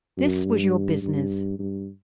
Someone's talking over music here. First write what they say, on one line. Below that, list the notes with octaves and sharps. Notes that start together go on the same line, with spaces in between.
This was your business!
F#2
G2
G2
G2